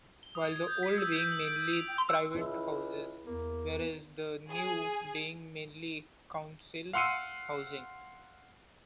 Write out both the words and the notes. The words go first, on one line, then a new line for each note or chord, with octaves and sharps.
With the 'old' being mainly private houses whereas the 'new' being mainly council housing.
G7
D#6
G#6
G6
B6
E6
G6
F#7
D7
F7
C#2 E4
E2 A#3
G#4
F5 F#5 C6 E6 C#7 D#7